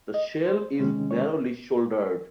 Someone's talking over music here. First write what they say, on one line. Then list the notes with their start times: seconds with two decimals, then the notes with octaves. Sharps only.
The shell is narrowly shouldered.
0.14 D#5
0.46 C5
0.79 C3 D#3 G#3 C#4
1.11 C#5